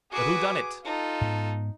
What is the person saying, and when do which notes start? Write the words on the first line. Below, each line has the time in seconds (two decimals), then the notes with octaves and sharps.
But who done it?
0.12 F#4 G#4 B4 D6
0.84 D#4 F4 A4
1.21 G#2 B3